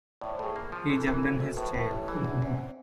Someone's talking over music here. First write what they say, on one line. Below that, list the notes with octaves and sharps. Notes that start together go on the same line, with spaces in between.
He jumped in his chair.
A2 D5
C#5
C5
A2 G#4 A4
A#3
F3
E3 A4
E3 A#4
A4
G#1
G#1
A2 B4
C5
A2
B4
A1
A4
E3
G#4
E2 D4
C#4
E2
C4